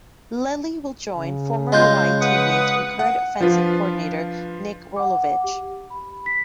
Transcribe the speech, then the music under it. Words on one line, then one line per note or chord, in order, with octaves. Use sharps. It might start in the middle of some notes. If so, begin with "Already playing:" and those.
Lelie will join former Hawaii teammate and current offensive coordinator Nick Rolovich.
C#3
G#3 F4 D#5 G6
B4 F#5 D#6
F#5
F3 D4 F4 B4
F#5 D6
G4
B5
B6